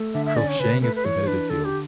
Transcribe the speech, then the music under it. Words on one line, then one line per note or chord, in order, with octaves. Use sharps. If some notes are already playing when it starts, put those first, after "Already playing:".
Crocheting is competitive field.
Already playing: A3
D3 E5
E5
C#4 D5
C#5
C#3 B4
A3 B4
B4
E3 C#5
D4 B4
D3 A4
G4